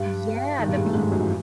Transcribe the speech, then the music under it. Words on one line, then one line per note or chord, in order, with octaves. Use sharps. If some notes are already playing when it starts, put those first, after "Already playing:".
Yeah, and the people.
Already playing: G2 G3
D#3
G2 G3
G#2 G#3
A2 A3
G#2 G#3
G2 G3
F#2 F#3
E3